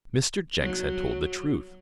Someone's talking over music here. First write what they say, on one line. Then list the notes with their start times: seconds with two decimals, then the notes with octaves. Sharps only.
Mr. Jenks had told the truth.
0.60 F#3